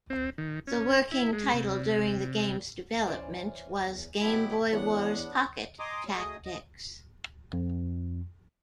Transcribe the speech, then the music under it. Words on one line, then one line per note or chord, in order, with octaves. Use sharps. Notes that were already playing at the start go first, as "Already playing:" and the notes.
The working title during the game's development was "Game Boy Wars Pocket Tactics".
C4
D#3
C#4
E4
G#3
C3
E3 C#4 C5 D5
E2
F#3 G#3 B3 E4 G4
E2 B3 D4 C#5 F#5
D#5 G#5 A#5 C6 D6 D#6
F#3 G3
F#3 A3 G#4 D#5 D#6
D#5
F2